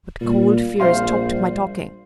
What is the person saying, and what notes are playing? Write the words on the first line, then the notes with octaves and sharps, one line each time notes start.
But cold fear stopped my talking.
A#2 G3
A#1 C5 F5 C6